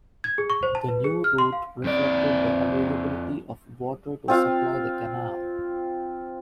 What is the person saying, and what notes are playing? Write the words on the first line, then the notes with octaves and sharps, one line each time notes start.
The new route reflected the availability of water to supply the canal.
G#6
G#4
C#6
C5
A5
B4
G#4
F6
C6
F5
F2 D5
C4 F4 F5